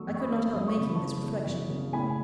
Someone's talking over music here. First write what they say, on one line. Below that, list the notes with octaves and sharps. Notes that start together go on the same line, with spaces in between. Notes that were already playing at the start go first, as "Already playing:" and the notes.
I could not help making this reflection.
Already playing: D#3 F#3 A3 B5 C#6 D#6 E6
F#2
C#6
B5 D#6
D#3
F#2 D#6
C#6
C#3 B5
A5 C#6
E3
G#3
F#2
C#3
A2 G#5 B5